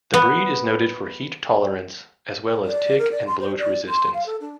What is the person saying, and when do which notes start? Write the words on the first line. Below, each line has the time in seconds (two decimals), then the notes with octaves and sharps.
The breed is noted for heat tolerance, as well as tick and bloat resistance.
0.14 B3
2.65 D5
2.98 A#4
3.12 D5
3.27 C6
3.41 C5
3.58 D5
3.89 C6
4.14 F5
4.26 A4
4.41 D4